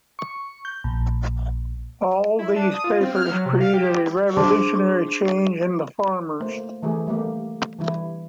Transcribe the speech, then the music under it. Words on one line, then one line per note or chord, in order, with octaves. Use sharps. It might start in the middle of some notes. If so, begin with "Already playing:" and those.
All these papers created a revolutionary change in the farmers.
C#6
G6
A#1
E4
D4
D#6
F4
C4
F6
F#3
C3
F5
G4
D4 G#4 C5 A5 C6 D6
A3 A#3 C5
E3 A3 G4 G#4
G3 A3 A#3 G4
E3 G3 E4